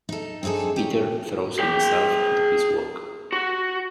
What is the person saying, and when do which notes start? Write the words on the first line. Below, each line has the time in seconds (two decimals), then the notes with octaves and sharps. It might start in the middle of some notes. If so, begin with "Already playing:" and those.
Peter throws himself into his work.
0.09 D#4 A4
0.43 C4 D4 D#4 G#4 A4
0.76 G4 C#5
1.59 G#4 G5
3.32 F#4